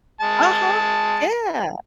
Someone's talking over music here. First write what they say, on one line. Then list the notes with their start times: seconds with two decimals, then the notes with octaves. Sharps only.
Uh-huh, yeah.
0.21 G#3 A5